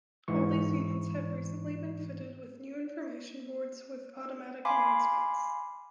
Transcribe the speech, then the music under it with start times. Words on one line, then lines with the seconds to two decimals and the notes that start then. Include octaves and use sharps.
All these units have recently been fitted with new information boards with automatic announcements.
0.28 G#2 E3 C#6
4.65 F5 G#5 B5 C6 D6